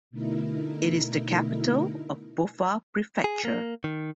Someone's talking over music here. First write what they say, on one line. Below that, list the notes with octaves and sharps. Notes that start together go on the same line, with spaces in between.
It is the capital of Boffa Prefecture.
B2 D3 A3 D#4 E4 A#4
G#4
A#3
D#3